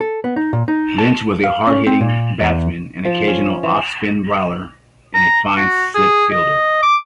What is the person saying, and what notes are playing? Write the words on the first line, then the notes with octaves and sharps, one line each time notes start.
Lynch was a hard-hitting batsman, an occasional off-spin bowler and a fine slip fielder.
A4
B3
D#4
A#2
D#4
A5
F5
C#4
C4
A#2
E2
F3
C#4
E3
A#5
F#4
G#4
D#5
D6